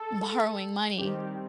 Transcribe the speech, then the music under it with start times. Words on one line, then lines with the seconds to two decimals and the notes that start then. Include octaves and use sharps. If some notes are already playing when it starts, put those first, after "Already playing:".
borrowing money
Already playing: A4
0.98 D#3 G3 C4 G4